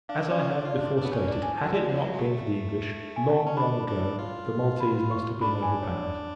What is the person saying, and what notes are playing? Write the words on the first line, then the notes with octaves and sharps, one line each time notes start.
As I have before stated, had it not been for the English, long, long ago, the Maltese must have been overpowered.
D4 F5
C#4 D5
F4
D4 C#5
F4
D5
D4
C#5
D4
B3
C#4 C#5
D5
D4
G#5
A5
F#3
G#3 D5
F3
G#3
F#3
G#3
A3
G#5
A5
C#4
D4 B5
D4
F4
B5
C#6
D4 B5
G#5
C#5
D5